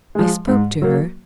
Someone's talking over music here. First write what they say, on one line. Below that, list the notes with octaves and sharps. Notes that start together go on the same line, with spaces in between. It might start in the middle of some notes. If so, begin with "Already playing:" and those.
I spoke to her.
F3 G#3
G#2
F#3 A#3